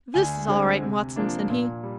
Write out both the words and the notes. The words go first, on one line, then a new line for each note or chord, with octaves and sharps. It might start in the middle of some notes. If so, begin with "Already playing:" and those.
"This is all right, Watson," said he.
D2 G#5
D3 G#3 C4
C3
F3 A#3 D4
A#2
G3